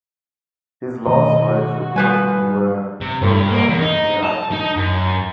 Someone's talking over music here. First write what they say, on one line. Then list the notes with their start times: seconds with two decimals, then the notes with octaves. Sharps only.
His last words reportedly were, Oh God, here I go.
1.07 B2 D#3 A3 D#5
1.46 F#4
1.96 F3 G3 B4 G#5
3.01 C3
3.22 G2
3.51 A#3
3.69 E2
3.82 D#4
4.23 A5
4.52 D#4
4.76 F#2